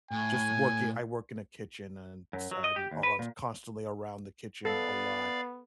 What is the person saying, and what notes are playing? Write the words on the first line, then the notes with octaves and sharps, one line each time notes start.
just work i I work in a kitchen and s I'm ont constantly around the kitchen a lot
A2 G#5
F#2
F#3
D#5
G4
D#2
B4
A#2
B3 A4 D5 F5